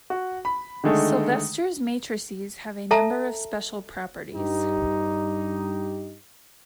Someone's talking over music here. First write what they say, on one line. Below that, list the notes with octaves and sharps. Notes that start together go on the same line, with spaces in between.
Sylvester's matrices have a number of special properties.
F#4
B5
D3 D#3 G#3 A3
A4 E5 A5 A#5
G2 D#4 G4